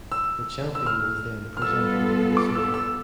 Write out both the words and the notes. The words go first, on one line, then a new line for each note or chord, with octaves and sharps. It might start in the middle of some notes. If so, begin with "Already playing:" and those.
The champion was then presented with a decision.
E6
E6
F6
F6
G3 B3 F4 A4 E6
D6
E6
E6